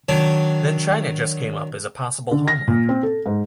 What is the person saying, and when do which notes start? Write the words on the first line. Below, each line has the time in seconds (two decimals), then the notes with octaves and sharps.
Then China just came up as a possible homeland.
0.09 D#3 F#3 D4
2.31 D3
2.48 A#6
2.68 A#2
2.89 C4
3.03 A4
3.26 G#2